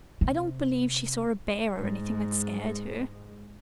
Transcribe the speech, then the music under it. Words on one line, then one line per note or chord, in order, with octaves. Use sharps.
I don't believe she saw a bear or anything that scared her.
C3
G#2 G#3